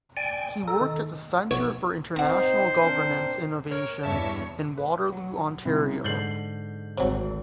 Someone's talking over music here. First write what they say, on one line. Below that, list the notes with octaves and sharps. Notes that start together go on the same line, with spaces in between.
He worked at the Centre for International Governance Innovation in Waterloo, Ontario.
D5 G5 G#5
A4 A#5
D#3
B1 C#5
C4 D#4 C5 F#5 A#5
C4 D4 A#4
A#4 C#5
E2 G2 C#5 E5 A5
B4
F#3
C2
G#2 D3 G6 C7 F#7
G#1 D2 C3 F#3